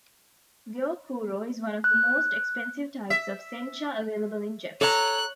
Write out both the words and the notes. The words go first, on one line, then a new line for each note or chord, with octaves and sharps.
Gyokuro is one of the most expensive types of sencha available in Japan.
F#6
E5
A4 C#5 A#5 F#6